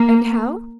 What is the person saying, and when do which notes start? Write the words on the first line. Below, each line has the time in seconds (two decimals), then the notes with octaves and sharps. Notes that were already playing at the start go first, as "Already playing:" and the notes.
And how?
Already playing: A#3